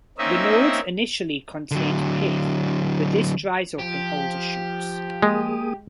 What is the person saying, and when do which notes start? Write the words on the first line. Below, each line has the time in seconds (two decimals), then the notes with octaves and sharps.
The nodes initially contain pith but this dries up in older shoots.
0.18 A#3 C4 C#4 D#4 D#5 E5
1.71 D3 F#3
3.78 F3 G4
5.22 G#3 A#3 G#4 D#6